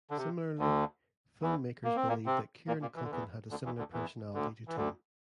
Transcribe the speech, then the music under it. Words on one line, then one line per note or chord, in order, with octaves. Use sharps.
Similarly, filmmakers believed that Kieran Culkin had a similar personality to Tim.
D3
C3
D2 D3
E2 E3
A#3
C4
A#2 A#3
C3 C4
A#2 A#3
A#2 A#3
E3
D3
E2 E3
D2 D3
E2 E3
D2 D3
E2 E3
D2 D3
E3
D2 D3